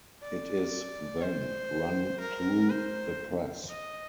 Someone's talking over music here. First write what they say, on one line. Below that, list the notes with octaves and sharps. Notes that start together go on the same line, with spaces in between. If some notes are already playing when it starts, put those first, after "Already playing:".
It is then run through the press.
D5
C5
A#4
C5
D#5